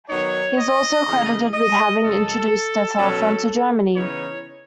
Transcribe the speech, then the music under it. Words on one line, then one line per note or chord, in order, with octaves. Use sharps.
He is also credited with having introduced the telephone to Germany.
D#3 F#3 B3 D#4 C#5
D#5
C#3 E3 A3
D#5
F#2 C#3 G#3 A4
B2 F#3 C#4
C#3 E3 B3 D#4 C#5